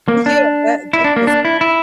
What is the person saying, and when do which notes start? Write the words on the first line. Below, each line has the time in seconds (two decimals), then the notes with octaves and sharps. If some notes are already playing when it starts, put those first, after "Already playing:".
Yeah, that that's just
0.08 A#3
0.26 D4
0.93 E4
1.04 D4
1.16 A#3
1.27 D4
1.45 E4
1.61 E4